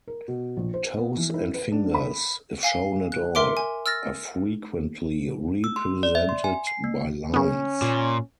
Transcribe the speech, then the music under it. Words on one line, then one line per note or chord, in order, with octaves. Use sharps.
Toes and fingers, if shown at all, are frequently represented by lines.
A#4
B2
A#1
C5
B3
E3
E4
B4
D4
B5
F5 G#5 C7 G7
F#6
A#4 E5 C6 D6 D7
G#5
E6 F6 A6 A#6
E6
C6
D5
E5
C6
G#5
C7
A#3
C#3 B3 C#4
A#2